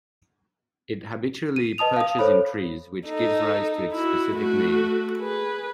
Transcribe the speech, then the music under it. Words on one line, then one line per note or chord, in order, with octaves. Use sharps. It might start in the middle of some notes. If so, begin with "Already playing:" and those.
It habitually perches in trees, which gives rise to its specific name.
D#7
B4 D#5 A5 D#6 F7
F5 D#6
A4 C5 C#5 B5
D#4 A4
E4 F#4
A3 F#4
G#4 B4